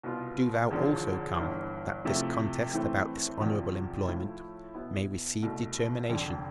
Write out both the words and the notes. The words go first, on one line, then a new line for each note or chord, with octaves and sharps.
Do thou also come, that this contest about this honorable employment may receive determination.
C2 B2 B3 F4
E1 E2 D3 F3
G1 G2 E3
C3 F3 A3 E4
A2 E3 A3 C4
F1 E2 C3 F3
A2 F3 A3 E4
B2 B3 E4
C2 B2 A3
F1 F2 D3